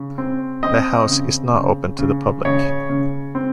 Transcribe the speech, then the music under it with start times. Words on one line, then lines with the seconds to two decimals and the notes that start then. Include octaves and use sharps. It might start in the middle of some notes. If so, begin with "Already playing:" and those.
The house is not open to the public.
Already playing: C#3
0.18 C4
0.63 C4 D#5
1.09 C#3
1.54 C#3
1.99 C#3
2.45 C#3 C#5
2.89 C#3
3.35 C4